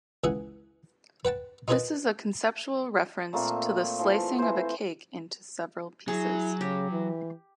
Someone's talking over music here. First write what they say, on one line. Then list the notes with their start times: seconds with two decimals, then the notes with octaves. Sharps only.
This is a conceptual reference to the slicing of a cake into several pieces.
0.24 C#2 E3 G#4 F#5
1.25 B4 F#5 G5 A5
1.68 D#4 F4 G#4 A#4 B4 D#5
3.33 A#2 A3 A#3 C4
3.99 E3 F3
4.38 E3 C5
6.08 F#3 E4 G#4
6.61 C#3 G4
6.91 E3